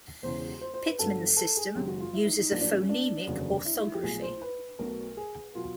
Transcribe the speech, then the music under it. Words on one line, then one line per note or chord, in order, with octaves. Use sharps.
Pitman's system uses a phonemic orthography.
E1 E2 C#3 C5
C5
C5
B4
G1 G2 D3 F#3 A4
A4
G#4
F#1 F#2 D#3 G#3 G4
F#4
F4
E4
D#4
D#4
A#1 A2 F#3 A#3 D4
D4
C#4
C#4
D4
F1 D#2 C#3 F#3 A#3
E4
D#4
E4
G4
B1 A#2 F3 A3 G#4
C5
B4
B1 B2 F#3 A3 A#4
G#4
B2 F#3 F4